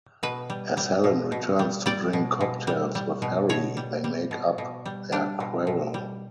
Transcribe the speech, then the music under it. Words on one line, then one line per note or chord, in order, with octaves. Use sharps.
As Helen returns to drink cocktails with Harry, they make up their quarrel.
B2 B4
G3
G3
B2
B2
G3
G3 D5
B2
B2
G3
G3
B2
B2 C#5
G3
G3
B2
B2
G3
G3 D4
B2
B2
G3